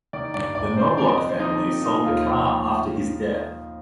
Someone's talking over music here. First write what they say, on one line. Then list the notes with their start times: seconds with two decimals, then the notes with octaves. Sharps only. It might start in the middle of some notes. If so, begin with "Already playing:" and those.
The Knobloch family sold the car after his death.
0.13 D#3 D5
0.34 G2 D5
0.55 G1 D5
0.77 G2 C5
0.97 F2 D5
1.09 D#5
1.18 D#3
1.29 C5
1.40 F2 D#4
1.61 F2
1.82 A#3 D#4
2.03 D#2 F4
2.25 F3